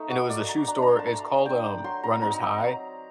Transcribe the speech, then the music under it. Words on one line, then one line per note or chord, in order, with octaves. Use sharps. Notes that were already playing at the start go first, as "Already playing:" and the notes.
and it was a shoe store, it's called, um, Runner's High,
Already playing: A3 D#4
F#4
A3 D5
A#5
D4 A#5
A#5
C6
A5
A3 A#5
D4 G5
F#3 C6
A#5
C4 D#4 A#5
A#5
F#3 A#5